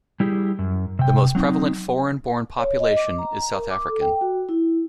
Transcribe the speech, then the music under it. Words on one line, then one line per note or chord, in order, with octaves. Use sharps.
The most prevalent foreign born population is South African.
G3 E4 G4 G#4
F#2
C3 G5
F#3 C4 D#4
C#5
D#5
D6
A#5
A#4
D6
A4
G5
F#4
E4